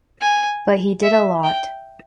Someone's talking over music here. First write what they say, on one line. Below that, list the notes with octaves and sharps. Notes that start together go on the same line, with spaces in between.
But he did a lot.
G#5
E5
G5